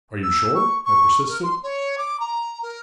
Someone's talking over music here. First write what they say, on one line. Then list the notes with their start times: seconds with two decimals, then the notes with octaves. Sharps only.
"Are you sure?" I persisted.
0.22 E6
0.54 C#6
0.85 C#6
1.28 A#4
1.43 C6
1.63 C#5
1.97 D6
2.19 A#5
2.62 A#4